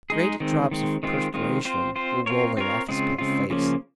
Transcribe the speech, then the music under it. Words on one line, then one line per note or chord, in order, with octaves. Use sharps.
Great drops of perspiration were rolling off his pale face.
G#3 D#4 G#4
D#3 G#3 C4
D#3 G#3 C4
D#3 G#3 C4 F4
D#3 G#3 C4 F4
C4 F4 C5
C4 F4 C5
C4 F4 A#4 C#5
C4 F4 A#4 C#5
C#3 G#3 C4 F4
C#3 G#3 C4 F4
C#3 F3 A#3 C#4